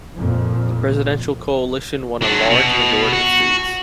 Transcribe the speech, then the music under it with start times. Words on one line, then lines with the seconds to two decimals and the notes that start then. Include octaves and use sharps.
The presidential coalition won a large majority of seats.
0.16 F2 A#2
2.22 F#3 D4
2.50 B2
3.12 F#4